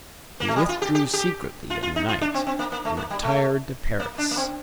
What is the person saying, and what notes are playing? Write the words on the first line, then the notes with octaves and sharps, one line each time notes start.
He withdrew secretly in the night, and retired to Paris.
A#3
A3
G3
F4
G4
G4
G4
F4
F4
D#4
F4
D4
C4
C4
A#3
A#3
A3
A#3
G3
A3
A#3
D4
A#3
C4